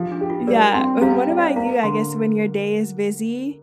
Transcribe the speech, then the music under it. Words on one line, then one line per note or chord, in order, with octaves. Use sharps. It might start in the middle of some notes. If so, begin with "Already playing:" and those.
Yeah, and what about you, I guess when your day is busy,
Already playing: F3 G4
D4
G4
F4
G3 A#4 D5
C4 G5 C6
G3 F5 A#5
D5
C5 F5
A#3 F5 A#5
D3 G5 C6